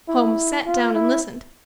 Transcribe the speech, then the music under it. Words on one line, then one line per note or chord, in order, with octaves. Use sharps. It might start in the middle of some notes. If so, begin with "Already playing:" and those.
Holmes sat down and listened.
E4
F4
E4